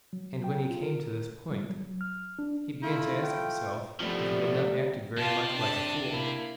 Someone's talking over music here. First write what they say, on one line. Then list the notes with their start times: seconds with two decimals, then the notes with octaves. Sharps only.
And when he came to this point, he began to ask himself, if he had not acted very much like a fool.
0.13 F#3
0.44 G5
0.70 F4
0.83 A#4
1.51 G3
1.70 F#3
2.01 F6
2.39 D4
2.83 A3 E4 F4
3.23 G5
4.00 C3 F3 G3 A3 B3
5.18 C3 F4 G4 A5
5.52 D4 A5
6.10 A#3 E4